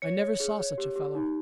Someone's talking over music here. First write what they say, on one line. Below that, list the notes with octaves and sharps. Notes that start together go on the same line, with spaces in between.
I never saw such a fellow.
C#5 C#7
C#5
G#4
C#5
G4
G4
D#4